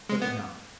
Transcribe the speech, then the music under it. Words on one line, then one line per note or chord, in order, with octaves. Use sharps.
But enough....
G#3
B3